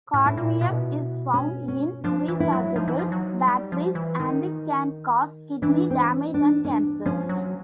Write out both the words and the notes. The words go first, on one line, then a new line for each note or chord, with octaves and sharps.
Cadmium is found in rechargeable batteries and can cause kidney damage and cancer.
A2
E4
A#2
B2
C#4
C#4
F3 D4
E3
E4
F#3
F3 D#4
E3
F3
F#3
G3
F3
E3
D#3 D#4
E3 D4
C4
C#4
D4
C#4
D4
F3 C#4
F#3